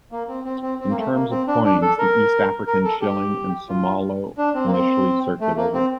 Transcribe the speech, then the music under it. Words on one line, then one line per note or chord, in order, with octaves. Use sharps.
In terms of coins, the East African shilling and somalo initially circulated.
A#3
C4
C4
C4
C4
A#3
A3
A#3
C4
D4
D4
A4
A#4
A#4
A4
G4
F4
D4
C4
A#3
C4
A3
A#3
C4